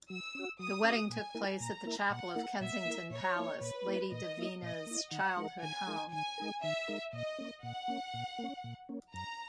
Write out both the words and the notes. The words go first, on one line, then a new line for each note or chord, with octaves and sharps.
The wedding took place at the chapel of Kensington Palace, Lady Davina's childhood home.
F#3 E6
C#4 F#4
F#3 D#6
C#4
F#4
A#2 G#5
A#3 E4 A#4
A#2 A#5
A#3 E4 A#4
A#2 F#5
A#3 E4 A#4
A#2 E5
A#3 E4 A#4
A#2 C#5
A#3 E4
A#2 B4
A#3 E4
A#2 D#5
A#3 E4
A#2 D#5
A#3 E4
D#3 F#5
G#3 D#4 A#4
D#3 G#5
G#3 D#4 A#4
D#3 G#5
G#3 D#4 A#4
D#3 E5
G#3 D#4 A#4
A#2 D#5
A#3 C#4
A#2 F#5
A#3 C#4
A#2
A#3
C#4
A#2
A#3 C#4
F#2 A#5